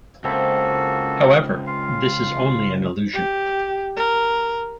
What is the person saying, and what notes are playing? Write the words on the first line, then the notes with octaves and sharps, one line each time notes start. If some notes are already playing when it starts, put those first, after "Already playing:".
However, this is only an illusion.
C#2 A#3 C4 F#4 A4 E5 B5
F4 F5
G4
A#4